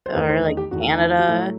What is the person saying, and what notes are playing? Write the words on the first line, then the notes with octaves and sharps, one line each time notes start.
or, like, Canada
C5
E2 D#3 A3 B4
C5
D#5
G4
E2 D#3 A3 F#4
D#4
E4
F#4
A2 F#3 A3 E4